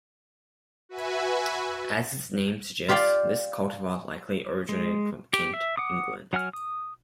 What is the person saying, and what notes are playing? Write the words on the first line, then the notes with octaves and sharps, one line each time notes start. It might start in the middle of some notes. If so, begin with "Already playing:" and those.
As its name suggests, this cultivar likely originated from Kent, England.
F#4 B4 E5 G#5
F4 G4 D5 F5 G5
G#3
G4
E5
F#5 D6 D#6
F#3 F#5 G#5 F6
D#6